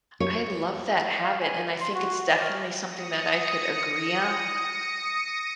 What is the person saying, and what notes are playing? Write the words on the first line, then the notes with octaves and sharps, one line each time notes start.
I love that habit, and I think it's definitely something that I could agree on,
C#5
F5
G#5
C6
F#4
D5
F6
D#6 A#6 C#7